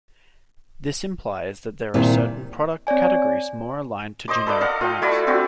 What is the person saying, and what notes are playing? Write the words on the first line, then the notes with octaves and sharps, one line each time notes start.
This implies that there are certain product categories more aligned to generic brands.
C2 A#2 D#3
C4 C#5 D5 G#5
C5 D#5 C6 D6
A4 B4 D5 D6
A4 D#5 F5 F#5
F4 G5
A3 E4 F4 D5
C4 D4 E4 F#4